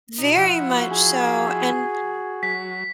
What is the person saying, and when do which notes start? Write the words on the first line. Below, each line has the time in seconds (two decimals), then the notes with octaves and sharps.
Very much so, and
0.18 B2 D#4
0.37 F3 E4 F#5
0.67 F#4
0.90 G#4
2.43 F#3 B6